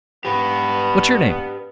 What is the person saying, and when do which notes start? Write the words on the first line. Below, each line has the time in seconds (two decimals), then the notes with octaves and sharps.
What's your name?'
0.25 B3 G4 B4